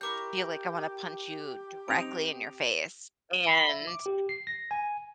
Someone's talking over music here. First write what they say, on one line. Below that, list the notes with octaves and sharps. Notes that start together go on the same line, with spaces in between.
feel like I wanna punch you directly in your face." And
E4 G4 A#4 C#5 D6 G6
C4 D#4 D7 F7
B5
E5
D6
G4
C7
A#6
G#5